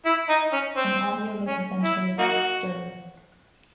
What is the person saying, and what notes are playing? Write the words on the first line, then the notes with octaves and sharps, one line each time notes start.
An Audio Misadventure, dir.
E4
D#4
C#4
C4
C#4
E4
A#3 D#4 F#4